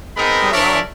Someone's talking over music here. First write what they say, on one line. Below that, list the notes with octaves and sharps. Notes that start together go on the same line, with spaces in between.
Oh wow.
G#3 B3 C4 D#4 A#4 B5
D4 A#4 C#5 D5 E5